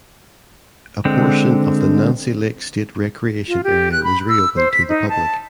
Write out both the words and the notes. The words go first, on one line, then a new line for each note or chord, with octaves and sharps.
A portion of the Nancy Lake State Recreation Area was reopened to the public.
D3 G#3 C4
F4
G4
F#6
B5
E6
C5
B6
D#4
A5